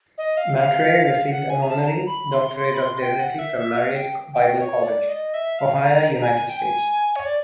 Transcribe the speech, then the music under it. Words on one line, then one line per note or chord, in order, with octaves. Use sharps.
McCrea received an Honorary Doctorate of Divinity from Mariette Bible College, Ohio, United States.
D#5
F5
F5
F#5
G#5
A#5
A5
A#5
B5
C6
C6
B5
C6
G5
F#5
E5
E5
F5
G5
G5
C#5
D5
D#5
E5
F5
A#5
G#5
G5
G#5
C#5
D5